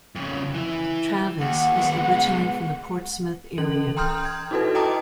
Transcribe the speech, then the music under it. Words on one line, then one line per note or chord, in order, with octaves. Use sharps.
Traviss is originally from the Portsmouth area.
F2 C#3
E3 E4
D#2 F#5
G#3 B3
E3 C#4 A4 F#7
G5 A#5 C6 D#6 F6 G6
G#6
D#4 E4 F#4 A4 B4
D#5 G5 A5 A#5 D6 D#6